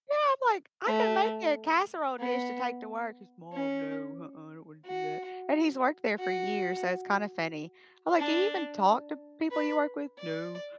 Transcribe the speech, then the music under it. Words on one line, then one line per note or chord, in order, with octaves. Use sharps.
Yeah, I'm like, "I could make you a casserole dish to take to work." He's, "Mom, no, uh-uh, I don't wanna do that." And he's worked there for years, so it's kinda funny. I'm like, "Do you even talk to people you work with?" "No."
A3
B3
C#4
F#4
F#4
D4
B4
D5